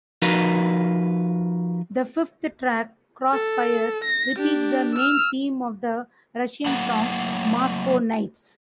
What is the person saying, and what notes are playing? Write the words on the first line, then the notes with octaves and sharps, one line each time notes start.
The fifth track "Crossfire" repeats the main theme of the Russian song "Moscow Nights".
F3 D#4 F#4 A#4 B4
A4
A#6
D4 G4
E6 F6
F#3 A3 A#3 A4 F#5